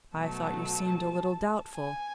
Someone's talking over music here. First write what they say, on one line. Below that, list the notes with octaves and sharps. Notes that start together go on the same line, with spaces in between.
'I thought you seemed a little doubtful.'
B2 F#3 A3 A5
G#5